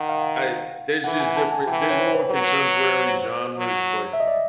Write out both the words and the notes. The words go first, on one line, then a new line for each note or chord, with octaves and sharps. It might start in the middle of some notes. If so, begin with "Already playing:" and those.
I There's just different There's more contemporary genres, but
Already playing: D#3 F#5
F5
E3 F#5
G#5
A5
G#5
E3 G5
C#5
C5
B4
F#3
C5
F#3
E5
D#5
D5